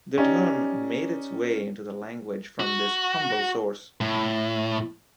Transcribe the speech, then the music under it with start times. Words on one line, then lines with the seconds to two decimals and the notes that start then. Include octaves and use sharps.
The term made its way into the language from this humble source.
0.18 C#4 D#4 G4 D5 D#5
2.60 F#4
4.01 A2